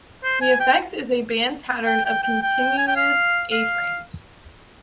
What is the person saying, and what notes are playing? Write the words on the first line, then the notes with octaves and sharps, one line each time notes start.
The effect is a band pattern of contiguous A-frames.
C5
G#5
G5
G5
G5
G5
G5
G#5
G5
F5
F5